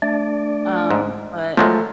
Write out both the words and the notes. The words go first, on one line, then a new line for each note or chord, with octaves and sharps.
um, but
A3 D4 D5
G#2
F3 F#3 G#3 A3 F4